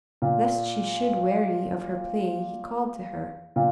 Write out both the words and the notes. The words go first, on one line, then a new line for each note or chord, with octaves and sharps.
Lest she should weary of her play he called to her.
A#2
A#2